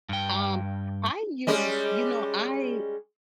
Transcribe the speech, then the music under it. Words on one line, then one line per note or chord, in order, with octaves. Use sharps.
Um, I use, you know, I
G2 G5
G3 G#3 C#4